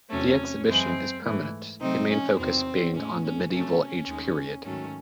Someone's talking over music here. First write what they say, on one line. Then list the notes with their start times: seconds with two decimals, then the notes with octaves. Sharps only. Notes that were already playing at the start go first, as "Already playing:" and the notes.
The exhibition is permanent, the main focus being on the Medieval age period.
0.10 E2 C3 F#3 A3 C#4
0.67 F#2 E3 G#3 C4
1.24 G#2 E3 A3
1.80 C3 F#3 A3 C4 D#4
2.09 C#4
2.37 E2 C3 D#3 F#3 C4
2.94 A2 G#3 C#4
3.23 C#4
3.51 C3 F#3 A3 C#4
4.08 D#2 D#3 G#3
4.65 G#2 D#3 F#3 A3 C#4